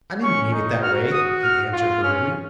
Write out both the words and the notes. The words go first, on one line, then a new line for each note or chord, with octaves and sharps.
'I didn't mean it that way,' he answered hurriedly.
C#4 C#6
D#4
F#4 F6
D#6
F6
F4
C#4 F6